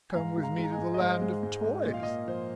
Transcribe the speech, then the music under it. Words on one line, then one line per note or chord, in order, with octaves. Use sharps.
Come with me to the Land of Toys.
G#5
G#2 F5 A#5
G#3
F5 A#5
G#3
A#5
D#5 G#5
G#2
D#5
G#2 C5 F5
G#3
G#2
G#2
A#2 D#5
F5
A#3 D#5
F3 C5